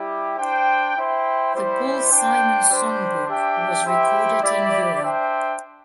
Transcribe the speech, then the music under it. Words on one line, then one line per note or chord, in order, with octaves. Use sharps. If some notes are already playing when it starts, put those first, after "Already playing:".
"The Paul Simon Songbook" was recorded in Europe.
Already playing: G3 E4 G4
D4 C5 G5
E4 C5 G5
G3 E4 C5
D4 C5 G5
G3 D4 C5
D4 G4 E5 G5
E4 G4 C5 E5 G5
E4 G4 D5
D4 C5 E5 G5